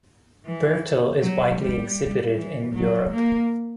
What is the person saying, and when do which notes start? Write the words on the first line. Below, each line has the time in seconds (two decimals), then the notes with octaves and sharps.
Bertil is widely exhibited in Europe.
0.46 E3
1.21 F#3
1.59 G3
2.36 E3
2.74 F#3
3.11 A#3